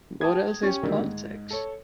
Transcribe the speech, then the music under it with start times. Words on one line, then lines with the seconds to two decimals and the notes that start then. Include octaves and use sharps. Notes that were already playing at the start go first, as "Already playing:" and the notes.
What else is politics?
0.21 G5 A5 D#6 G#6
0.63 C#4 G4
0.83 D3 D#3 F#3 G3 A3 A#3
0.99 G#2
1.51 A4 C#5